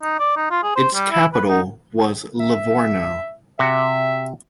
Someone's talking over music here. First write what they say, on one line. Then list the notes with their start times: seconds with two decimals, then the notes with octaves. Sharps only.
Its capital was Livorno.
0.02 D#4
0.19 D5
0.37 D#4
0.51 F4
0.63 G#4
0.76 C5
0.95 G3
1.11 E4
1.34 B4
1.48 D#4
2.40 E5
3.59 C3 F#4 E5